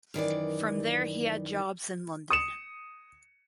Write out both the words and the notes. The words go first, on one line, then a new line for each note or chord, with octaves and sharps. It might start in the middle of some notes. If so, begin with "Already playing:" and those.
From there he had jobs in London.
F#2 D#3 E3 D5
D#6 C#7 E7